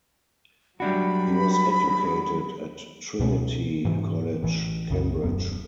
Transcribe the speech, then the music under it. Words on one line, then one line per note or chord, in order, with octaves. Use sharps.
He was educated at Trinity College, Cambridge.
F#3 G3 D4 F#4 B5
C#2 B2 G3 C#4
G#2 C3 E3
A1 E3
C2 F#2 C#3
D#1 F#2 B3